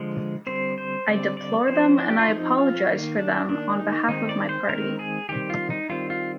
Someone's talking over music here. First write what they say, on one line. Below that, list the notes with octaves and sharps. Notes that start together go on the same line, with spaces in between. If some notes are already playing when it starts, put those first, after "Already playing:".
I deplore them and I apologise for them on behalf of my party.
Already playing: D3 F3 G#3
D3 G3 C4 C5
C5
D3 G3 C4 D5
D5
F3 C4 C5
D4
G4
F4
F3 C4 D#4
F4
D#3 A#3
D4
D#3 A#3 D4
D#4
D#3 G#3 C4 D#4
D5
C5
D#3 G#3 C4 A#4
G#4
D#3 G3 C4 G4
F4
D#4
D#3 G3 C4 F4
F4